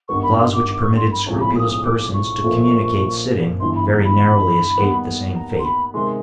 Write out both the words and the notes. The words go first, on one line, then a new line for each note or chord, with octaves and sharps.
The clause which permitted scrupulous persons to communicate sitting very narrowly escaped the same fate.
G#1 G2 D#3 G3 B3 C#6
B5
C6
D6
D6
C#6
C6
B5
B1 A2 F3 G#3 C#4 A#5
B5
D#6
D#6
D6
C#6
A#1 A#2 F3 A3 C#4
G1 G2 E3 C6
B5
A#5
B5
D#2 D#3 G3 B3
A#5
C6
B5
C3 D#3 G#3 C6